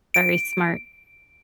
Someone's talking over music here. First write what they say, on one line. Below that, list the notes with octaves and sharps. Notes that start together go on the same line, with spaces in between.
Very smart.
D7